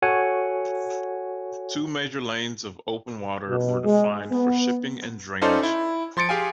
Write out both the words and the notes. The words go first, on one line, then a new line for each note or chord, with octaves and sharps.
Two major lanes of open water were defined for shipping and drainage.
F#4 A4 C#5 F#5 G#5
B2
G#3
B3
C#4 D#4 F4 A4 C5 D5
E4
F3 C6 A6 C#7 D7
G4 G#4 F5 G5 G#5